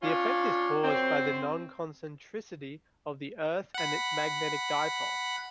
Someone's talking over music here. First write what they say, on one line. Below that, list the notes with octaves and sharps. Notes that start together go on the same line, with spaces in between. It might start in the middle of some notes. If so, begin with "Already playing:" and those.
The effect is caused by the non-concentricity of the Earth and its magnetic dipole.
C#4 D4 F4
F#2 C4
F#5 B5